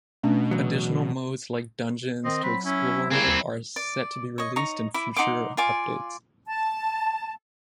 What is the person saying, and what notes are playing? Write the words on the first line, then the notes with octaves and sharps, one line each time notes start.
Additional modes like dungeons to explore are set to be released in future updates.
B2 A3 C#4 D4
E2 F#3
D#3 C4 D#5
F#3 B5
C#4 E4
C#3 A#3 C4 E4 G#5
D#2
D5
C#5 D#5
D#4 C#5 A#5
E4 D6
D#4 F#5 C6 D6
F4 D5 G#5 D6
A5